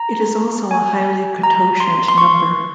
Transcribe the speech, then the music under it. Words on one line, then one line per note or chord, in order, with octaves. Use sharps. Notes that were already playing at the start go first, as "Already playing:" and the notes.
It is also a highly cototient number.
Already playing: A#5
G#5
A#5
C6
C6
C#6